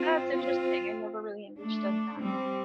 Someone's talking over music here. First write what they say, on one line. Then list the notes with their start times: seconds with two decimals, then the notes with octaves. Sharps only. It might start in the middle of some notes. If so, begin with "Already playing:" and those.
That's interesting. I never really understood that.
Already playing: C4 F4
0.33 C4 F4
1.58 A3 D4
2.20 G3 C4